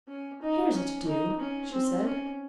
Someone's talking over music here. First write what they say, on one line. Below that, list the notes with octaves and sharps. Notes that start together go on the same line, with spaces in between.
"Here's a to-do," she said.
C#4
D#4
C#4
D#4
C#4
C4
C#4